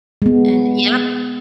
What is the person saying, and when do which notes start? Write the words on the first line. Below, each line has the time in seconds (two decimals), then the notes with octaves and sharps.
And Yep.
0.22 G#3 B3